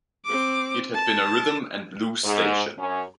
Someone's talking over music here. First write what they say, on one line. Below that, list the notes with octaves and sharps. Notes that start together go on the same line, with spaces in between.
It had been a rhythm and blues station.
C4 D6
A5
G#2
F#2 C#4